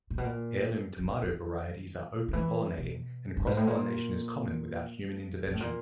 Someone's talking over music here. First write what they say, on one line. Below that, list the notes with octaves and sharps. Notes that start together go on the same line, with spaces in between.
Heirloom tomato varieties are "open pollinating", and cross-pollination is common without human intervention.
A#2
B2
A#2
D3
D#3
D#3
E3
B2
G2
G#2
A2
A#2
A#2
A2
A#2